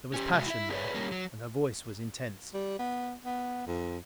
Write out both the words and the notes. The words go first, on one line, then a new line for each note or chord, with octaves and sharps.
There was passion there; and her voice was intense.
C#4 G4
C3 G#3 F#4 E5
E4 E5
D#4 E4 G#4 B4 C#5 D5
G3 A#3 C#4
F#3
G3
B3
B3
F2